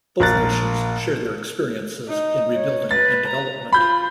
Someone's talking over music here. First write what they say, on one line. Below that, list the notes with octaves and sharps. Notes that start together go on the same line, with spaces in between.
Both nations share their experiences in rebuilding and development.
A#1 A#4 F#6 A6
D#4
C#5
B4 A6
A#5
F4 B5 G6